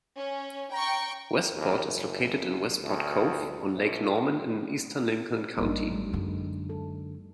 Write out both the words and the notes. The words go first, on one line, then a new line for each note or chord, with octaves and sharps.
Westport is located in Westport Cove on Lake Norman in eastern Lincoln County.
C#4
G5 A#5 C#6
D#2
F#1
D2
A#1
A1 G2 A#3 D4 D#4
F#3 G#3
F#2 D3
A4